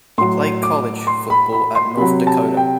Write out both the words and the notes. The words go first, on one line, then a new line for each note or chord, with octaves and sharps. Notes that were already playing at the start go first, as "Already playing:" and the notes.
He played college football at North Dakota.
A2 F#3 C6
D6
C6
B5
B5
C6
C3 F#3 B5
A5
G5